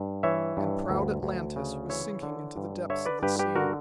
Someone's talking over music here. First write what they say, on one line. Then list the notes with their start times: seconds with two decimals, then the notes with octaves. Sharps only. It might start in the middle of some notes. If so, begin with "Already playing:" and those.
And proud Atlantis was sinking into the depths of the sea....
Already playing: G2
0.23 E3 C#5 E5
0.57 G2
0.90 D2
1.23 D2
1.56 C#3
1.89 E3 C#5 E5
2.23 D3
2.57 G2
2.90 D3 C#5 E5
3.06 B4 D5
3.23 G2 G4 B4
3.39 G4 B4
3.55 D3 F#4 A#4